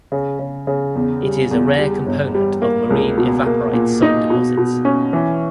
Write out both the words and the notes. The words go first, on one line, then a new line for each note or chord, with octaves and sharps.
It is a rare component of marine evaporite salt deposits.
C#3
C#3
C#3
E2
G3
E2
G3
G1
G3
A#3
C#2
B2
A#3
A#2
D#4
B2
B2
C#4
E3